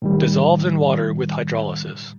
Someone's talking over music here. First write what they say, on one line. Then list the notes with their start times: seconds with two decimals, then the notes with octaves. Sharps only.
Dissolves in water with hydrolysis.
0.02 A2 D#3 G3